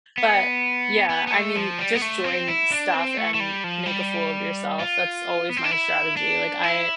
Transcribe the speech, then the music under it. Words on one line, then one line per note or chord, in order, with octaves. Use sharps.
but yeah, I mean, just join stuff and make a fool of yourself, that's always my strategy, like, I
B3
B3
B3
A3
F3
G3
B3
A3
C4
E4
D4
C4
A3
A3
G3
F3
G3
F4
B3
C4
D4
E4
D4
E4